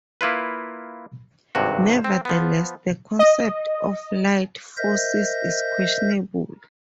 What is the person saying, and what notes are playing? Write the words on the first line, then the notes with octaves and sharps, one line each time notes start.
Nevertheless, the concept of "light" forces is questionable.
A#3 E4 F4 B4
G#1 G2 C3 F#4
C4
F3 B3
D#5
A#4 C5 D#5 E5 G6 A#6